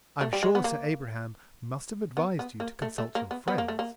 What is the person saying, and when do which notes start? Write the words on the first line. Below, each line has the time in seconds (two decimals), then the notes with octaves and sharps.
"I'm sure Sir Abraham must have advised you to consult your friends."
0.21 A3
0.33 G3
0.43 G#3
0.55 B3
0.64 A#3
2.17 B3
2.39 B3
2.60 A#3
2.82 A3
2.98 A3
3.15 A#3
3.31 B3
3.48 B3
3.58 A#3
3.68 A3
3.79 A#3